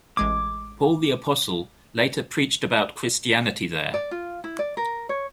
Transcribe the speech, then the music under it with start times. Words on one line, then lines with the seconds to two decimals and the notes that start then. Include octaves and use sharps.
Paul the Apostle later preached about Christianity there.
0.17 A1 G#3 D6 G#6
3.94 D5
4.11 F4
4.44 E4
4.59 D5
4.77 A#4
5.09 C#5